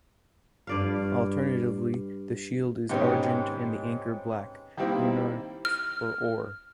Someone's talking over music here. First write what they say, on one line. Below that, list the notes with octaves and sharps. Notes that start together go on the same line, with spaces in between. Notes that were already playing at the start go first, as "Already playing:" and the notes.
Alternatively the shield is Argent and the anchor Black, Brunatre or Or.
G2 D5 F5
G#2 C3 D#3 B3 C#4 G4
D#3 G3 A#3 C4 E4
F6